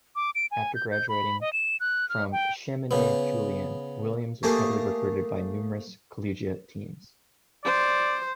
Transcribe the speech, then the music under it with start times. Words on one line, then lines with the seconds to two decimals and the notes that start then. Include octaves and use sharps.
After graduating from Chaminade-Julienne, Williams was heavily recruited by numerous collegiate teams.
0.16 D6
0.35 D7
0.51 G#5
0.75 G6
0.91 G6
1.09 B5
1.41 D#5
1.53 E7
1.80 F#6
2.09 F6
2.32 G5
2.91 C#3 B3
4.43 A3 A#3 G4 G#4
7.65 C5 D5